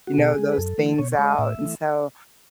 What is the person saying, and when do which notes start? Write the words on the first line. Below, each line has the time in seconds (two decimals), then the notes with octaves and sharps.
you know, those things out, and so,
0.07 F#4
0.18 B2 G#4
0.38 G#3
0.52 B4
0.57 F#2 A4
0.78 E3 A3
0.99 B2 C#5
1.12 C#5
1.19 G#3
1.26 D#5
1.38 A2 E5
1.59 E3 A3